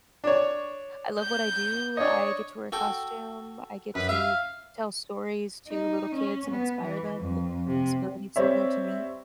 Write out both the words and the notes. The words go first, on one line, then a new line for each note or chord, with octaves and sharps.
I love what I do, I get to wear a costume, I get to tell stories to little kids and inspire them with disabilities similar to me
D4 C#5
G6
D4 C#5 D#5
F#4 A4 G5
F#2 B4
E5 F5
D#4
C#4
B3
E3
F2
C3
G3 C4 C#5 E5